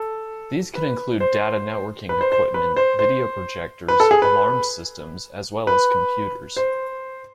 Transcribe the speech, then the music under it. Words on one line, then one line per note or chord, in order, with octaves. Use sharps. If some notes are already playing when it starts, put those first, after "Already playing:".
These can include data networking equipment, video projectors, alarm systems as well as computers.
Already playing: A4
B4
C5
B4
C5
C5
B4
C5
C5
B4
A4
G#4
B4
B4
C5